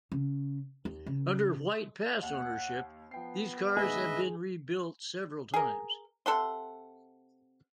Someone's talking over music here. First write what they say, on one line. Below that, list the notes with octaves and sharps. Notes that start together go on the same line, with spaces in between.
Under White Pass ownership, these cars have been rebuilt several times.
C#3
D#2
C#3
D#2 F#5
F3 B3 G5 C7
D2 G#2 D#3 G#4 B4 D#5 E5
G#4 A#4
C3 A4 F#5 C6